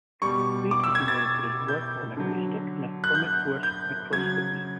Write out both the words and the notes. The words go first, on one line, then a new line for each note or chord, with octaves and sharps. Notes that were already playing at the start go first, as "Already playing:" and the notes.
Quate is known for his work on acoustic and atomic force microscopy.
B2 G3 C#6
D6
E6
G#6
A6
G6
D3 F#3
F#6
G6
G6
C#3 F#3 G#6